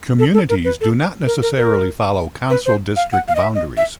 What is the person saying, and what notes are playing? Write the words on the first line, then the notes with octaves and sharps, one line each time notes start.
Communities do not necessarily follow Council District boundaries.
A4
A4
A#4
B4
A4
A#4
A#4
A#4
B4
C5
F5
F#5
F5
D#5
E5
D#5
E5